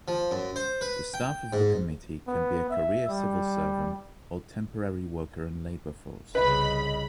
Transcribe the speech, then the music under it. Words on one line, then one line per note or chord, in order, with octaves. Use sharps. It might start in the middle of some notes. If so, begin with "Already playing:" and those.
The staff of the committee can be a career civil servant or temporary worker and labor force.
F3
F#2
C5
B4
G5
G#2
B3
E5
G3
C2 C#3 B4 D#5 B5